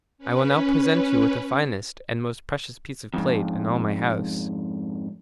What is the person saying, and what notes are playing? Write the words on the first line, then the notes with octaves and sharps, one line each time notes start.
I will now present you with the finest and most precious piece of plate in all my house.
C#4 B4
F2 G#2